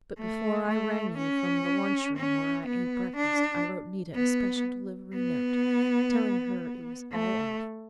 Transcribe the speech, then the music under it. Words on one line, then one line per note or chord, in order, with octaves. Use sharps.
But before I rang you from the lunch room where I ate breakfast I wrote Nita a special delivery note, telling her it was all off.
A3
A3
C#4
C#4
B3
D4
B3
B3
A3